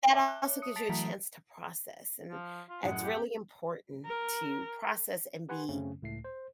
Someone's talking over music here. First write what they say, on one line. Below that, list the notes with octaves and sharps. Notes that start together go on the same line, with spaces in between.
that also gives you a chance to process, and it's really important to process and be,
E5 A5 D6 G7
F#6
C#5
D#6 C#7
A5 A6 B6 C7 D7 F7
E3 F#3 A3 A#5 B6
F3
F4
F#2 A2 G#3 F#5
G4
A#4
G4 B4 F#5 G#5 C6
F#2 C#3 F#3 A3 C4 C#4
C#2 A2 A3 C7
C5